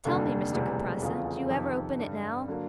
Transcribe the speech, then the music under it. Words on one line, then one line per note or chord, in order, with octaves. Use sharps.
Tell me, Mr Kuprasso, do you ever open it now?'
F1 D#2 D3 G3
E1 D2 C3 E3 G3
F1 E2 C#3 F3
F2 C3 D#3
G2 D3 G3
D3 F#3 A#3